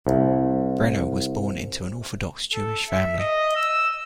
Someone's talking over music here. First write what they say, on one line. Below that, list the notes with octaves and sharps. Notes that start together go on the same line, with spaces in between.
Brenner was born into an Orthodox Jewish family.
C2
A4
E5
D#5
E6